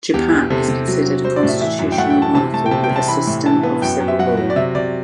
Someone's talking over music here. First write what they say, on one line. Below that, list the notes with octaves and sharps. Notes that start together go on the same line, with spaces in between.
Japan is considered a constitutional monarchy with a system of civil law.
E2 G4
E2
C3 A4
C3
F#3
F#3
F#3 C5
D5
A2
E5
E3 E5
F#2
G5
A3 F#5
G5
E3
A5
C3 A5
A3 A5
G5
C3 A5
G5
C3
A5
E3 B5
A2
E3 A5
B3
F#2 G5
F#2
E5
F#3 F#5
F#3
D5
C3 E5
C3 D5